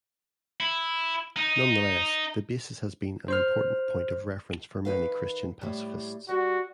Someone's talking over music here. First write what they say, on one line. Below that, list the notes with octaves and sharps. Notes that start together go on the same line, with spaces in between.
Nonetheless the Basis has been an important point of reference for many Christian pacifists.
E4
D#4
C5 C6 F6
D#3 B4 F5
A2 G3
G3 F#4